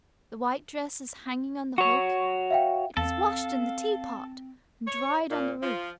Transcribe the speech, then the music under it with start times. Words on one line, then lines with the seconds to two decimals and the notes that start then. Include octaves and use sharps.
The white dress is hanging on the hook; it was washed in the teapot, and dried on the roof.
1.78 F#4 C#5 C#6
2.51 E5 F5 G5
2.97 E2 C4 A4 F5 A5
4.87 C#5
5.30 A#2
5.63 F3